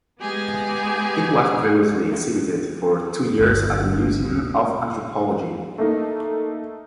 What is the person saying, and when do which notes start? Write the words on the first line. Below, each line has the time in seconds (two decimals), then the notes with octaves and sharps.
It was previously exhibited for two years at the Museum of Anthropology.
0.20 G#3 B3 G4 G#4 G#5
3.39 D1 G1
5.78 A3 A#3 D#4